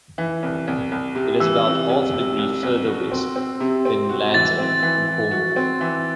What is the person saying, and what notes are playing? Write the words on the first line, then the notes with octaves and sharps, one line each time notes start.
It is about half a degree further west than Land's End in Cornwall.
E3
C2
C2
C2
C3
E3 E6
C3
C2
C3
C2
C2
F#4
C4
C4
C3
C4
F#4
E3 A6
C4
E3
E3
F#4
C4
E3